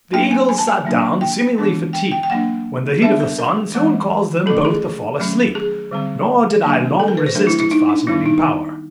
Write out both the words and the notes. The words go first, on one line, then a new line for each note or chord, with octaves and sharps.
The eagles sat down seemingly fatigued, when the heat of the sun soon caused them both to fall asleep, nor did I long resist its fascinating power.
F#3 A#3 D4 G5
G#5
G#5
A5
G#5
F#3 A#3 D4
G5
E3 G#3 B3 D4
G5
G5
G5
F#3 A#3 D4 F#5
G3 B3 D4 E5
A#4
A#4
E3 G#3 C4
F3 A3 C#4 A4
G#4
D#3 F#3 A3 C#4
G#4
D3 G3 C4
D#3 F#3 A#3 D4
A4
A#4
B4
C5
F#3 A3 D4 A#4
E4
E4
D#4
D4
D#3 G3 B3 D4 E4
D#4